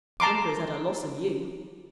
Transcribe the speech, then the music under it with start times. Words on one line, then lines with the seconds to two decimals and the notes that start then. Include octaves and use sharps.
Hamper has had a loss of you.
0.20 A5 A#5 C6 D6